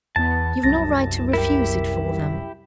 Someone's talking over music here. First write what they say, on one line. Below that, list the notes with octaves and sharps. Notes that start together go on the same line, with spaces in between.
You've no right to refuse it for them.
E2 B3 A5
C2 F#2 A6 A#6
E4 G4 A#4